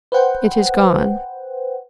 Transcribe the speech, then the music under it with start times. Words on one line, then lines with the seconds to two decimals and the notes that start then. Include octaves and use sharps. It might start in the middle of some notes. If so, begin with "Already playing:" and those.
"It is gone."
0.12 B4 C5 F#5 G5